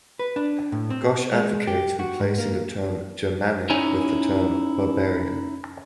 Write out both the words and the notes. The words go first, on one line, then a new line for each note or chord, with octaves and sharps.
Ghosh advocates replacing the term "Germanic" with the term "barbarian".
B4
D4
A2
C4
G#3
G4
F#4
G#2
A#3
C#4 D#4 E4 C#5 G#5